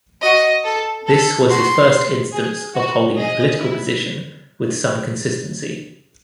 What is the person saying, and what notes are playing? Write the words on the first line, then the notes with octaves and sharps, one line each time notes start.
This was his first instance of holding a political position with some consistency.
F#4 D#5
A4
A4
F#4 C6
G#4
F#4
G#4 D#5
E4